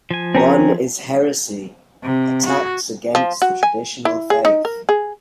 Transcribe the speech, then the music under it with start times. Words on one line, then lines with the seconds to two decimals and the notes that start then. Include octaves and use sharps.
One is heresy, attacks against the traditional Faith.
0.11 F3 G#5
0.35 C4 C#4 A#4
2.03 C3
2.46 F#4
3.15 F3
3.42 F#4
3.63 G#5
4.05 E4
4.30 G#4
4.45 D#4
4.65 A#4
4.89 G#4